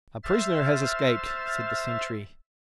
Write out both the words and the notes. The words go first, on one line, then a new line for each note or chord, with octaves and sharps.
"A prisoner has escaped," said the sentry.
C5 E5 F6 A6